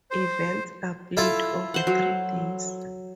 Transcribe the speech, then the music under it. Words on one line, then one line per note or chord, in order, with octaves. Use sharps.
Events are played over three days.
C5
E4 F4 A4
C5 F#5
F#3